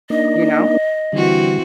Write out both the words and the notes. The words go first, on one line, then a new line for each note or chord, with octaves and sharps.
you know?
A#3 D4 D#4 D#5
D3 E3 G3 C4 F#4